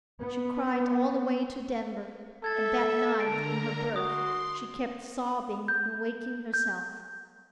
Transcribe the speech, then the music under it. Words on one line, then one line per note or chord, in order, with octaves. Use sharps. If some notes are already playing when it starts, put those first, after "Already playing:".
She cried all the way to Denver, and that night, in her berth, she kept sobbing and waking herself.
B3
A4 E5 G#6 A6
D3 A#4 A#5 D7
F#4 C6 D#6
G6
G6